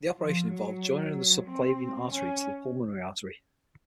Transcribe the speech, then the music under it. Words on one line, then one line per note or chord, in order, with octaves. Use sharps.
The operation involved the joining of the subclavian artery to the pulmonary artery.
F3
F#3
C4
C#4